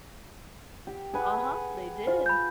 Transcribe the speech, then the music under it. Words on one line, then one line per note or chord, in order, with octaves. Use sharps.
Uh-huh, they did.
G4
G#4 B4 F#5
F4 C5
B5 G6